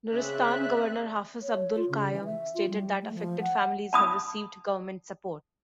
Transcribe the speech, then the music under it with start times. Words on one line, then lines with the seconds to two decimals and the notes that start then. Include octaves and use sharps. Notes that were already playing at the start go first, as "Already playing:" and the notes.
Nuristan governor Hafiz Abdul Qayum stated that affected families have received government support.
0.13 C#3 C4 G#4 B4 D5 E5 F#6
1.42 C#5
1.76 F4
1.89 C#3
2.12 E3
2.25 E5
2.54 F4
2.68 G3
3.02 A3
3.14 F3
3.41 F#5
3.93 A5 B5 D#6